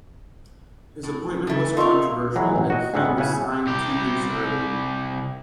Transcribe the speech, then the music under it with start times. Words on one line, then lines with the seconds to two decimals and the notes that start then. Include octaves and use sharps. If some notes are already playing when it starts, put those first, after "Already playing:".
His appointment was controversial and he resigned two years early.
1.03 A2
1.47 C#3 A3
1.77 D#4 F4 A#4 E5 C#6
2.35 E3 F#3 G#3
2.56 A1 F#3
2.70 F#4 D#5
2.94 D2 G#2 C4 C#4 F#5
3.05 B3
3.18 C#3 E4 F#5 G#5 A5
3.66 C2 G4